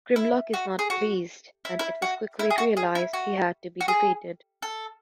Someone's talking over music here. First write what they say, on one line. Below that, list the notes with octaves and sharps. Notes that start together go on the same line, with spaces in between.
Grimlock is not pleased, and it was quickly realized he had to be defeated.
E4
F#4
G#4
F#4
E4
E4
F#4
E4
G#4
F#4
G#4
E4
F#4
F#4
G#4
A4